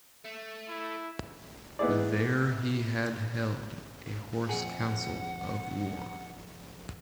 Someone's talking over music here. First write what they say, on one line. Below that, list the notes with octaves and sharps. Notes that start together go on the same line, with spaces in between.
There he had held a hoarse council of war.
A3
E4
E3 B3 D#4 E4 G#4 D5
F2 G#4 F#5